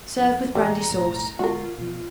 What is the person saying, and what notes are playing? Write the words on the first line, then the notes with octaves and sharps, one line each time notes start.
Serve with brandy sauce.
F2
E1 A1 A#2 G3 A#5
B1 F2 A2
D3 G#3 B3 F4 F#4 A#4
B2 F3